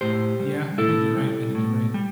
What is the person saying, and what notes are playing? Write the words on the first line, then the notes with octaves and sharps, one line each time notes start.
Yeah, I think you're right, I think you're right.
A2 G4 C5
G3
A2 E4 A4
G3
A2
G3